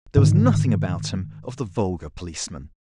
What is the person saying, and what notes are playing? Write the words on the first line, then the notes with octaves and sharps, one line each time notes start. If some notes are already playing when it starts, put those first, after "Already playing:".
There was nothing about him of the vulgar policeman.
G#2 D3 D#3